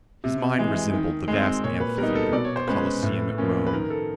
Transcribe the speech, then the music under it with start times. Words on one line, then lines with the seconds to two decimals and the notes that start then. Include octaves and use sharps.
His mind resembled the vast amphitheatre, the Colisaeum at Rome.
0.24 C3
0.59 E3 G#3
0.93 D#3
1.28 G#3 C4
1.64 A#2 C#5
1.80 B4
1.98 G3 B3 D#4 A#4
2.15 A4
2.33 B2 D5
2.45 C#5
2.56 C5
2.68 G#3 C#4 B4
3.03 A2
3.38 F3 A#3 C#4
3.67 B4
3.73 D#3 A#4
3.90 A4